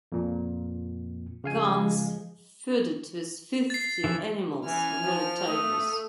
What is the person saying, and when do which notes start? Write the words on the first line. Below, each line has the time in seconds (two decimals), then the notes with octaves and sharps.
Gunns feuded with the Filthy Animals' valet Tygress.
0.12 F2 A#2
1.44 C#3 F3 G#3 F5 G#5
3.70 A6 C7
4.04 E3 F3
4.66 E3 C#4 G#5 F6
5.04 F3 C5
5.48 A3 A4 D#6